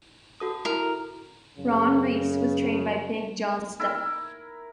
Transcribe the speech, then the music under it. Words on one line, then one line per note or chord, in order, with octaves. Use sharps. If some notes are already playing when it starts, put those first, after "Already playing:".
Ron Reis was trained by Big John Studd.
F#4 A4 D#6
E4 A#4 A#5
F#2 C#3
E4 A#4